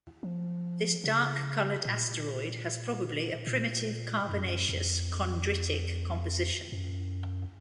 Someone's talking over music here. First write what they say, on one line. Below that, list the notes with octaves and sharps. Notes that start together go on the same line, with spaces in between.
This dark-coloured asteroid has probably a primitive carbonaceous chondritic composition.
F3
C#3
A#2
A#2
F#2
F2
F#2